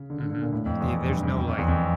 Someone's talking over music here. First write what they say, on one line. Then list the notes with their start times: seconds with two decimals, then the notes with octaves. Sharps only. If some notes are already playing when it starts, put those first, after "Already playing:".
mhm, yeah, there's no, like
Already playing: C#3
0.10 D3
0.20 D3
0.31 D3
0.42 A#2
0.52 A2
0.66 F2
0.80 E2
0.94 F2
1.08 G2
1.23 G2
1.36 F2
1.47 F2
1.58 E2
1.68 F2